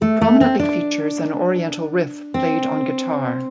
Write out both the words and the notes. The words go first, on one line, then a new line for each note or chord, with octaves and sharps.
It prominently features an Oriental riff played on guitar.
A3
A3
C4
D4
C4